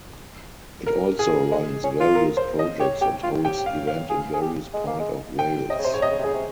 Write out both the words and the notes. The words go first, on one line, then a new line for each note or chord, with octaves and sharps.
It also runs various projects and holds event in various part of Wales.
A#4
G#4
G#3
C#4
F4
A#4
C5
D#5
G4 C#5
G4 G5
F4
G4 G5
F5
F5
G#4
G#4
G4
G#3
A#3
G#3
G5
C3 D#5
C#3
C3 C5
C#3 C#5
C3 D#5
C#3
C3
C#3 G#4
C3